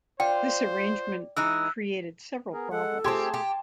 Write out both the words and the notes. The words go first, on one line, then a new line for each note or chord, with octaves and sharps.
This arrangement created several problems.
F4 C5 D5 G5
E3 G#3 D#4 E6 F#6
B3 G#4 A#4
G#3 A4 F#5
A3 C4 G4 G#4 A5 C6 G#6
G4